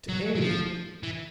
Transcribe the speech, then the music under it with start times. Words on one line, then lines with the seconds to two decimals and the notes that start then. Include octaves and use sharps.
To eighty! ...
0.09 F#3
0.35 E3
0.40 F3
1.03 E3